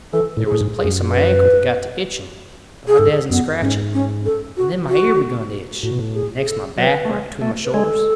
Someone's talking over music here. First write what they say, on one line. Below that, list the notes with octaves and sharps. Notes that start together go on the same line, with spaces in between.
There was a place on my ankle that got to itching, but I dasn't scratch it; and then my ear begun to itch; and next my back, right between my shoulders.
E3 A4
A2
G#4
A2
G#2
G#4
F#2
B4
G#4
G#2 A4
F#2 B3
G#2 C#4
C#4
A4
F#4
F#4
A2 F#4
B2
A2
G#4
G#4
A4
F#3 B4
A3
G#3
A3
B4
G#3 A4